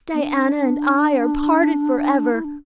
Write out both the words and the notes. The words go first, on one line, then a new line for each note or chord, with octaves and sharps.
Diana and I are parted forever.
B3
D4
E4
D4